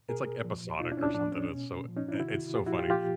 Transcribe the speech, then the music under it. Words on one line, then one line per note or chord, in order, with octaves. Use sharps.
It's, like, episodic or something, it's so i it's so funny,
B2 G#4 A#4
A#2 F3
B2 D#4 F4
D4 E4
C#4
D4
A2 F3 D4
C#4
B2
A#2 F3
C#4 D#4
D4 E4
C3 D#3 E4 F#4
A#2 F3 F4 G4
E4 F#4
F4 G4
A#2 F3 F4 G4